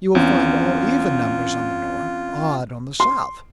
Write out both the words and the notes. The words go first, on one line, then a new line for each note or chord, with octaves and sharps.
You will find all even numbers on the north, odd on the south.
E2 C4 C#4 F4
C6